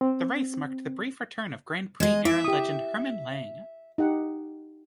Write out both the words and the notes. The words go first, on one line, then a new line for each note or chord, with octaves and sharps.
The race marked the brief return of Grand Prix-era legend Hermann Lang.
C4
G#3 D#5
E4 E5 D6
G4 D#6
D#4 G4 F#5